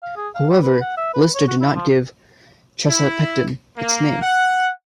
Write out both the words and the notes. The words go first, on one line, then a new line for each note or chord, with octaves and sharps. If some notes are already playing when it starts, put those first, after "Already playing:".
However, Lister did not give "Chesapecten" its name.
F5
G#4
F5
G3
B4
F#5
E5
B4
C#5
F#4
E4
F3
E4
A#3
F#5